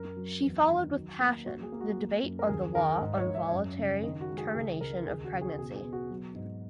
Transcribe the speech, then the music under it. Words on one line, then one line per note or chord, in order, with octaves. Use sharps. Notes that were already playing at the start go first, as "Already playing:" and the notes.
She followed with passion the debate on the law on voluntary termination of pregnancy.
Already playing: F#2 A#4
F#3
E2
D#3
F#3
A#3
A#3 F#4
G#4
A#3
F#4
A#3
F#2
A#4
D#2 G#4
D#3 A#4
G#2
C#5
G#2
E5
F#2
C#3
D#3 D#5
F#4
G#3
G#4
C#2 G#4
C#2 A#4
D#2 G#4
F#4
C#3
G#4
B2 G#4
G#4
B3
F#4
F#3
G#2